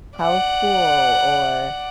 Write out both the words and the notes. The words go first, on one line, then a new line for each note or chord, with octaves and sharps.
"How's school?" or
D5 F#5